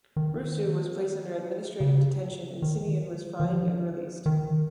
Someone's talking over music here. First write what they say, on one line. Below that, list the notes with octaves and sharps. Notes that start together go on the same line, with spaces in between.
Rusu was placed under administrative detention and Simion was fined and released.
D#3
C#3
D#3
D#3
F3
D#3